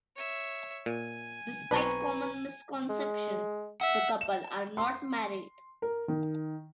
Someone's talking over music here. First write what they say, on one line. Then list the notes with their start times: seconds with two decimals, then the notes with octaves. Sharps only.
Despite common misconception, the couple are not married.
0.16 C#5 E5
0.86 A#2 G#5
1.71 B1 C4 B4 A#5 C#6
2.89 G#3
3.81 E5 F#5
4.21 E7
4.77 C6
5.82 A#4
6.08 D#3